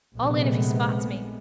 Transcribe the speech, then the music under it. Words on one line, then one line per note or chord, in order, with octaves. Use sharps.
All in if he spots me.
A#1 C3 G#3 A3 B3